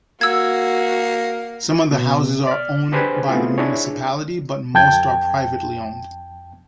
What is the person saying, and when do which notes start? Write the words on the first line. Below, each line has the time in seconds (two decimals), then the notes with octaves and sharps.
Some of the houses are owned by the municipality, but most are privately owned.
0.21 A#3 F#4 E6 G#6
1.91 B2
2.47 D5 F6
2.92 D4 G4 G#4 B4 C5 G#5
3.28 A3 B3 C4 E4 F4 G#4
3.58 D4 E4 G#4 C#5
4.74 F2 G5 A5 G6 G#6